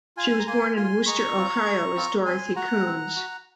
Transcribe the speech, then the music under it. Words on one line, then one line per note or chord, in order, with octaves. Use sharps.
She was born in Wooster, Ohio as Dorothy Kuhns.
F4 G#5 C6
A#5
A#3 G#5 C6
F4 G#5 C6
G#3 A#5 C#6
C4 F4
G#3
C4 F4
C4 G#5 C6
F#4 F#5 A#5
C4
F#4